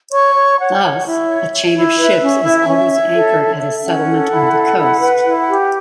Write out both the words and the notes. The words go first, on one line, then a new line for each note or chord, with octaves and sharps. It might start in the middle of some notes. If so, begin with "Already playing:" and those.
Thus, a chain of ships is always anchored at a settlement on the coast.
C#5 C#6
C#5
C#5 F#5
C#5
E4 E5
C#5
C#5
E4
B4 E5
C#4
E4
C#4
C#5
A4
C#5
A4
C#4 F#5
A4
E4
A4
E4
B4
E4
G4